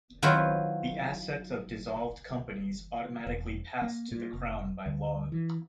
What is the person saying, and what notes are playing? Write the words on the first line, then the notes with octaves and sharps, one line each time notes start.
The assets of dissolved companies automatically pass to the Crown by law.
D#3 F#3 E4 F4 B4 C5
E1
A#3
A#2
F1
D2
E3